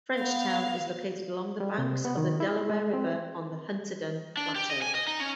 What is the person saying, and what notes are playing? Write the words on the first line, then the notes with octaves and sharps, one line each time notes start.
Frenchtown is located along the banks of the Delaware River on the Hunterdon Plateau.
B3 F5
G3
C3
B3
D#3
E4
G#3
C4
D4
G4
D#5
G#5
D#5
D#4
C#4